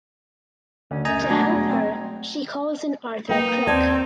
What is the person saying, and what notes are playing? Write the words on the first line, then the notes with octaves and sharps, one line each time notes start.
To help her she calls in Arthur Crook.
D2 C#4
F#2 A3 D#5 G#5 A#5
B2 G3
B2 F#3 G#3 A3 D4 F#4 F#5
E2
C4
A#3 D#4 B4 G5
D#2 C4 D5 A5 G#6